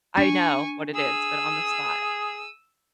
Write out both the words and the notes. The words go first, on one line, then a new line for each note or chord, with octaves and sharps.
I know what it is, but on the spot,
D4 G#5 C#6
G#4 E6 D#7